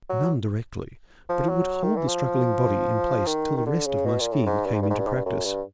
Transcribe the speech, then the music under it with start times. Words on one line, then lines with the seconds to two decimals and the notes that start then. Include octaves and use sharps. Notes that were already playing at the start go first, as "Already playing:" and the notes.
"None, directly; but it would hold the struggling body in place till the rest of my scheme came into practice."
0.10 F#3
1.29 F3
1.49 F#3
1.84 D#3
1.96 E3
2.08 F3
3.27 D#3
3.57 D#3
3.66 D3
3.87 C#3
4.06 B2
4.20 A#2
4.33 A2
4.47 G#2
4.66 G2
4.74 G#2
4.82 G2
4.90 G#2
4.99 G2
5.07 G#2
5.14 G2
5.26 F#2
5.45 G2